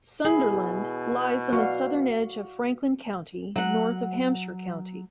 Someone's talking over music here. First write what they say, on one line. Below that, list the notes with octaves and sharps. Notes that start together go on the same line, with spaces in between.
Sunderland lies on the southern edge of Franklin County, north of Hampshire County.
B2 E4 G#4 F#7
F#4 D5 F5 C#6
F#3 F#5